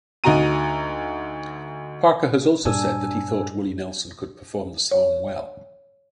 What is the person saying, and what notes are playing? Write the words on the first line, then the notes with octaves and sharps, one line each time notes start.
Parker has also said that he thought Willie Nelson could perform the song well.
D2 D#4 F#4 A#5 D#7
G2 A#2 D4 G#5 E6
C#5